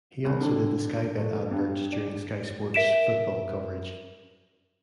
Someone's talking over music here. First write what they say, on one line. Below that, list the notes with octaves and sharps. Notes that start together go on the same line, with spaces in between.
He also did the Sky Bet adverts during Sky Sports football coverage.
C2
D3
A3
G2
D4
A#4 E5 B6 D7 E7